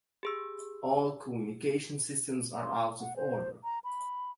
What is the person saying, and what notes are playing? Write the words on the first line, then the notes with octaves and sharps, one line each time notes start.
All communication systems are out of order.
G4 G#4 E6
C6
F#5
C5
A#5
B5